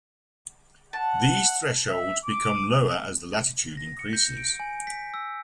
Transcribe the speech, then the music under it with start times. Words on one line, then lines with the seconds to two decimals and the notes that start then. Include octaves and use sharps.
These thresholds become lower as the latitude increases.
0.93 F#5 A5
1.89 E5
2.24 D6
3.77 A#6
3.99 C#7
4.13 G6
4.37 D7
4.60 G#5
4.87 B6
5.14 E6